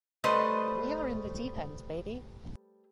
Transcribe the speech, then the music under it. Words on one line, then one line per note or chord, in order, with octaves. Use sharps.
We are in the deep end baby.
G3 A3 B4 C5 D#5